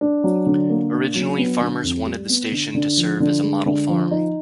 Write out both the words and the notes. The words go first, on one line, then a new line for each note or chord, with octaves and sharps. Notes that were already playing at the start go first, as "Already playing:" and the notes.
Originally, farmers wanted the station to serve as a model farm.
D4
F#3
D3
A#3
D4
F#3
B3
D3
F2
G3
B3
D3
D3
F3
D3
G#3
D3
F3
D#4